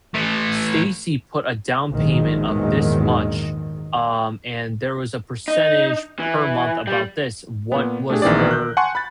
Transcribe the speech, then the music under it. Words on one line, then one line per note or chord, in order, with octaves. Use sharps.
"Stacy put a down payment of this much, um, and there was a percentage per month about this, what was her
A2 E3
A#1 E2 G#2 D#3 F#3 G#3
D#4
E3
G3
A#2 B3
A3 D4 G4 G#4
A#1 D#3 E3 C4 G#4 D5
A#4 F#6 G6
F#5 G#5 A5 C6 C#6 F#6
B5 F#6 A6